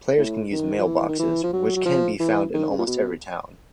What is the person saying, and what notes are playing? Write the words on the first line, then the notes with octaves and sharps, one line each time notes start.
Players can use mailboxes, which can be found in almost every town.
A2
D#3
F3
E3
D#3
E3
F3
F#3
F#3
F3
E3
D#3
C#3
A#2
B2